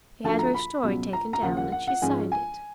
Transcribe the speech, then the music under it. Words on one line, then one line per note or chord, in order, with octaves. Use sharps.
He had her story taken down, and she signed it.
D2 D3 F3 A3 A5
A#5
B5
C#2 B2 F#3
A#5
A#5
D#2 C#3 F3 A#3 F#5
F#5
F#5
F#5
G#2 F3 G#3 C#4 G#5
G#5